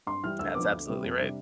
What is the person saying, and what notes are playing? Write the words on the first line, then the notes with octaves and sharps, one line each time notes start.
That's absolutely right.
G2 C6
E3 G3 F6
D2 E6
D3 F3 B3 D6
D2
C3 G3 B3
F2
C3 G3 D4